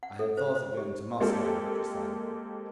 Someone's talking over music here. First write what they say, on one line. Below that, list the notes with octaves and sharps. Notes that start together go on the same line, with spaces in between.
"I had thought of going to Moscow," she said.
F#5
A4
C5
C5
G4
G#3 A#3 C4 F4 G4 A4